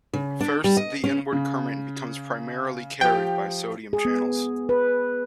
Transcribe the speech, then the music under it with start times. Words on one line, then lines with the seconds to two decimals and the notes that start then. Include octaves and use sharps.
First, the inward current becomes primarily carried by sodium channels.
0.13 C#3
0.41 D4
0.64 G3
0.77 D#5
1.04 C#4
1.33 C#3
3.01 F3 G4 G5
3.93 G#4
4.05 B3
4.69 B4